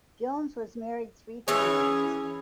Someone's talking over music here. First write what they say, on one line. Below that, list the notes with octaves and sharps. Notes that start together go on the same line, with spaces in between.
Jones was married three times.
E3 C#4 G#4 C#5